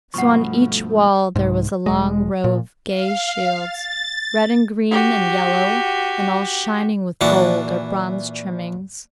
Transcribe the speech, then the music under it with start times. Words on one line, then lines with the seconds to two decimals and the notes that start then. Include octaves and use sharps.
So on each wall there was a long row of gay shields, red and green and yellow, and all shining with gold or bronze trimmings.
0.14 G2 B2 F3 A3 F#5 C#6
1.36 C2 G#2
1.86 E1 G#3
2.44 A#2
2.88 F5
3.59 A6
4.91 F#4 G4
7.21 A#2 E3 D4 F#4